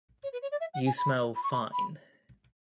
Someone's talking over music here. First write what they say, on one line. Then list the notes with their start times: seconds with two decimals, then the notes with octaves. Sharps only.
You smell fine.
0.23 C#5
0.33 B4
0.42 C#5
0.52 D5
0.60 E5
0.74 F#5
0.86 G#5
0.98 B5
1.36 B5
1.43 C#6
1.51 B5
1.73 B5